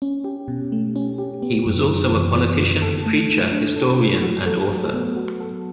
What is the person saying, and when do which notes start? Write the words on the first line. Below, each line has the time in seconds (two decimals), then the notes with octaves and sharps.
He was also a politician, preacher, historian and author.
0.02 C#4
0.24 G4
0.48 B2
0.72 A3
0.96 C#4
1.18 G4
1.42 B3
1.66 F#2
1.89 F#2
2.12 E3
2.36 B3
2.58 F#2
2.82 A4
3.06 A3
3.30 A3
3.52 D4
3.76 A4
3.99 A3
4.23 F#4
4.46 A4
4.70 F#3
4.94 B3
5.16 F#4
5.40 A4